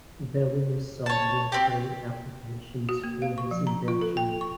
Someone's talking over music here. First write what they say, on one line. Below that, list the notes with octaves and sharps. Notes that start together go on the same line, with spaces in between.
Hevelius saw military applications for his invention.
C#5 A5
C4 G4
F#4
A#3
F5
C#6
F3
A#5
F4
A4
G5
C#6